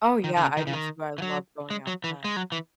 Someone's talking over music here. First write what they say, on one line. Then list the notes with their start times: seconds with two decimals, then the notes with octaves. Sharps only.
Oh, yeah. I do too. I love going outside.
0.24 D#3
0.37 D#3
0.41 C#3
0.57 D#3
0.67 C#3
0.73 D#3
1.18 E3
1.22 F#3
1.70 G#3
1.87 F#3
2.04 E3
2.24 G#3
2.36 F#3
2.52 E3